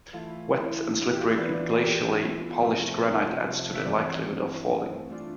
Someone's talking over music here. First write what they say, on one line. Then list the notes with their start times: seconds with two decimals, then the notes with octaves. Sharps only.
Wet and slippery glacially polished granite adds to the likelihood of falling.
0.13 E3 A3 E4 F4
1.13 G4
1.20 F4
1.29 E4
1.37 E3 B3 D4 F4 B4
1.53 D4
1.68 A4
1.84 G4
2.61 C3 F3 A3
3.23 F4
3.73 E5
3.85 G2 E3 A3 C4 D5
5.09 E3 A3 D4 F4